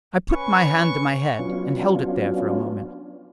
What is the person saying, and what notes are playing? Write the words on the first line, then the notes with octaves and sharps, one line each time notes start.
I put my hand to my head, and held it there for a moment.
C#4 B4 C#6
F#3 B3 C#4 D4 F4